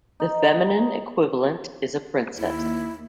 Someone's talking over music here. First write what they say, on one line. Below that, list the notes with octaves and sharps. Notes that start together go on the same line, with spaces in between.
The feminine equivalent is a princess.
D#4
D#2 E4